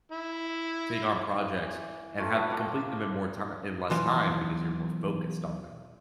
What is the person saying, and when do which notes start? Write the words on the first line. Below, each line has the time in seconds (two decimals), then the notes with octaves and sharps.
take on projects, and have complete them in more ti in less time, because you're more focused on them,
0.12 E4
1.56 E3
2.18 E3 A3 F4 A4
2.34 A3 B3 B4
2.50 C3 F3 A#3
3.90 B1 E3 F3